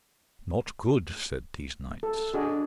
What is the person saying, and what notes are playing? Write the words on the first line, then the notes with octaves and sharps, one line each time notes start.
Not good, said these knights.
A4
D4 F#4 G#4 D#5